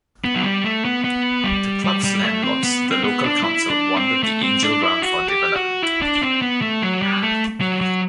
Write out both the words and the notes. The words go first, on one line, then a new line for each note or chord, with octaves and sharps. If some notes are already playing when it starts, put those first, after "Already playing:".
The club's landlords, the local council, wanted the Angel Ground for development.
B3
F#3
G3
A3
B3
B3
G3
G3
G3
A3
C4
B3
C4
B3
D4
E4
D4
C4
A3
C4
D4
E4
F#4
G4
F#4
E4
D4
C4
B3
A3
F#3
G3
A3
F#3
F#3